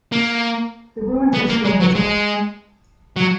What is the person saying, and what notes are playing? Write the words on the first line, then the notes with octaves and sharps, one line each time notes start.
The ruins are still visible.
A#3
B3
A#3
G#3
F#3
G#3
F#3